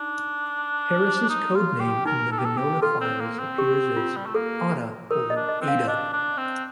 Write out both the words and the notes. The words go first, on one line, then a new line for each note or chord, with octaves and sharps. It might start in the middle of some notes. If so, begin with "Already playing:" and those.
Harris's code name in the Venona files appears as "Ada" or "Aida".
Already playing: D4 D#4
D#4
F4
G4
D#4 A#4
A4
G4
A4
G4
F4 A4
C4
A#3
C4
G4
F4
G3
A3
A#3 A4
D#4 A#4
D#5
D4
D#5
C4
F5
D4 D#5
D4
C4